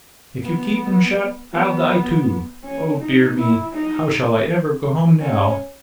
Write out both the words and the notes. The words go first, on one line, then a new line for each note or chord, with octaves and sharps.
If you keep them shut, I'll die, too. Oh, dear me, how shall I ever go home now?
B3
B3
C#4
D#4
E4
D#4
C#4